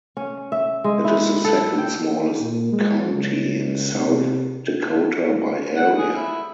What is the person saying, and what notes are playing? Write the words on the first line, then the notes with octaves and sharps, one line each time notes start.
It is the second-smallest county in South Dakota by area.
C#4
E5
G#3
E4
A4
G5
A#2
G#3
C#2
C3
F#5
G#4
E4